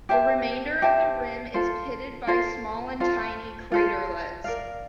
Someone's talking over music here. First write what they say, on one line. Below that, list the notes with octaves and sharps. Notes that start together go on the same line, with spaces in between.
The remainder of the rim is pitted by small and tiny craterlets.
G4 C5 E5 A5
G4 C5 E5 A5
F4 A4 C5
F4 A4 C5
F4 A4 C5
F4 A4 C5
A#4 D5 F5